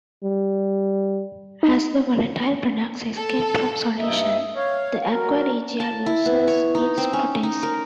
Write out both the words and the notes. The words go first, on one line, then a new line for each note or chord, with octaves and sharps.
As the volatile products escape from solution, the aqua regia loses its potency.
G3
D#4
A4
G2 D#4 E5
C#5 F5
F#3 A#4
A5
E4
B3
C#5
D#4
C4
C#4
D#4
A#4